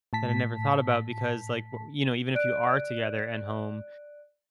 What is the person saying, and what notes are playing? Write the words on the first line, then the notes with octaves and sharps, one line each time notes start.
that I never thought about because, like, w you know, even if you are together at home,
A2 A5 B6
D5 F#6 D7